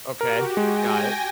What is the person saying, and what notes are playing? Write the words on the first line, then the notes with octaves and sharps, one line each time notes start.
Okay, got it.
F#4 G4 A#4
G#3 G5 G#5 A#6